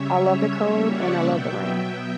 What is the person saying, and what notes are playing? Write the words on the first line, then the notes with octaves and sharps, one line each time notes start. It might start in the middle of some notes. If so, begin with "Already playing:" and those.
I love the cold, and I love the rain.
Already playing: C#3 G3 C#4 C#5 E5
C#5 E5
C#3 G3 A#3 C#4
D5 F#5
B2 F#3 B3 E5 G5